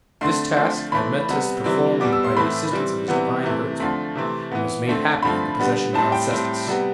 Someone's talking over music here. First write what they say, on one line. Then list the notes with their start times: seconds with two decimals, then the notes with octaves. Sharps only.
This task Admetus performed by the assistance of his divine herdsman, and was made happy in the possession of Alcestis.
0.21 D3 A3 C4 C6
0.56 D3 F3 A3 C4
0.92 E3 A3 C4 B5
1.29 C3 G3 B3
1.64 C3 E3 G3 C4
2.00 B2 G3 B3 D6
2.13 E6
2.24 C6
2.37 A2 E3 A3 C4 B5
2.71 E3 G3 C4
3.08 C3 E3 G3 B3
3.43 C3 E3 A3
3.79 D3 F3 A3 C4
4.15 C3 E3 A3 C4
4.52 E3 B3
4.87 D3 A3 C4
5.22 D3 F3 A3 C4 B5
5.60 D3 G3 B3
5.94 A2 G3 C4 A5
6.12 G5
6.31 A2 G3 C4
6.66 C3 G3 B3